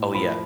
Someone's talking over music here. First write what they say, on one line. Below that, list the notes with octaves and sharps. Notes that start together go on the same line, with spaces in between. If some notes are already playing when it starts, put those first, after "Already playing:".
Oh, yeah.
Already playing: A2
F3 B5